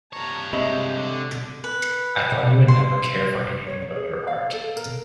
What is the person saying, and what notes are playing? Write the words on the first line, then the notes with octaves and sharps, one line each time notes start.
I thought you would never care for anything but your art.
G2 C#5 A5 A#5
C3 G#3 C5 D#5 E5 B5
D3 A4
B4
C6
C#5
C#5
G#4
F5
A4
A#4